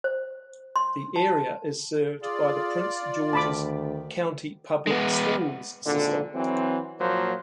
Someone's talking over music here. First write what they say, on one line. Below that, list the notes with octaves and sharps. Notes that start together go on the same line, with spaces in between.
The area is served by the Prince George's County Public Schools system.
C5
C6
A5
F4 G#4 D5
D2 D#3 A5 B5 D6
G#3 B3
G#1 A#2 D3
E3 F#3 C4
A#2 F3 F#3 A#3 C5